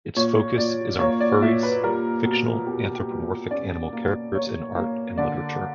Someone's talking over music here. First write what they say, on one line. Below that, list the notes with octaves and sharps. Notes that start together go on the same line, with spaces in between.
Its focus is on furries: fictional anthropomorphic animal characters in art and literature.
A#2 C#5
A#2 D5
A#3 C#5
D5
A#2 E5
B4
G3 A#4
B2
B2 G4
G4
G3
C#4 D5
A#3
A#3 C#5
A#3
D3 D5